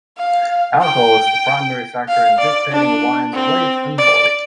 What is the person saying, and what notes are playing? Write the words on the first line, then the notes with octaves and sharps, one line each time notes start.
Alcohol is the primary factor in dictating a wine's weight and body.
F5
G5
F5
D5
D4
C4
D5